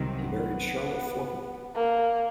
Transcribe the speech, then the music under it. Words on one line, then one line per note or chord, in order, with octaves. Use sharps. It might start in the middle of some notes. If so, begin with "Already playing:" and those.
He married Charlotte Forten.
Already playing: C2 C3 D#3 F#3
B3
A#3